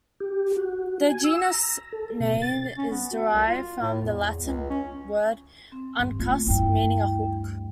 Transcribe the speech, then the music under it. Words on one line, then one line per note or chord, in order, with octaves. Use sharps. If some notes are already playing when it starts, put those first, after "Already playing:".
The genus name is derived from the Latin word "uncus", meaning "a hook".
G4
F#4
G#5
E6
A#5
A4
B2
A6
C#4
B3
F#4
C2
F4
A2
E2
C#2
C#4
C4
G2
A3 A#3 F4
D2 G2 E4 G5